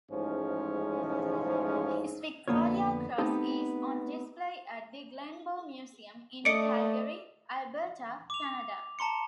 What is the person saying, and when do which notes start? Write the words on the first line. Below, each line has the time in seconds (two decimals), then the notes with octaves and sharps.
His Victoria Cross is on display at the Glenbow Museum in Calgary, Alberta, Canada.
0.11 A1 G#2 F3 G#3 C#4
2.48 F2 D3 A#3 B3 F4 C#5
3.18 A3 B3 C4 D#4 G4 A4
6.45 A3 D5 D#5 C#7 D7
8.30 D6 F7
8.99 A5 A#5 C6 C#7